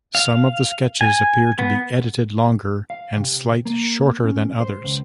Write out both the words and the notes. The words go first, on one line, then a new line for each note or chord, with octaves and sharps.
Some of the sketches appear to be edited longer and slight shorter than others.
F5
G#5
B3
F5
C3
A#3
C#4
C5
C#2